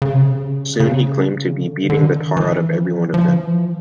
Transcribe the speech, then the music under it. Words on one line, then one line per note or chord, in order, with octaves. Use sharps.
Soon he claimed to be beating the tar out of every one of them.
C#3
C3
C#3
C#3
D3
D3
D#3
E3
F3
F3
E3
F3